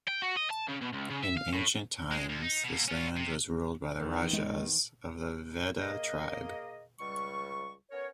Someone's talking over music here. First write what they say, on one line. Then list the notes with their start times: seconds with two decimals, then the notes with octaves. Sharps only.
In ancient times, this land was ruled by the Rajas of the Veda tribe.
0.08 G5
0.22 F#4
0.37 D#5
0.51 A5
0.69 C#3
0.82 B2
0.93 C#2
1.10 C#3
1.23 E5
1.37 F5
1.54 A2
2.11 G#3
2.29 D2
2.42 D#4
2.64 B2 A#3
2.88 C#4 F4
3.16 C3
3.96 E2 D#3
4.33 G#3
5.81 A#3 G#4 D#5
7.00 C#2 G3 C#6
7.91 B3 C#4 A#4 C#5